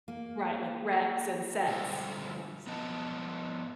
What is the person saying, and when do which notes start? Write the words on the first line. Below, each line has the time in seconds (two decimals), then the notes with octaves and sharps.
Right, like, reps and sets, yes.
0.08 A#3
1.68 D3 G3 G#3 F4 A4 C5
2.67 F3 B3 B4 D#5 A5